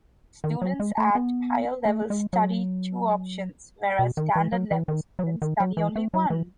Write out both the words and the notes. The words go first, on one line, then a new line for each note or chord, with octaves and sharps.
Students at higher level study two options whereas standard level students study only one.
D#3
F#3
G#3
A3
B3
A3
G#3
F#3
B2
D#3
E3
F#3
E3
D#3
F#3
E3
D#3
F#3
E3
A3
F#3
E3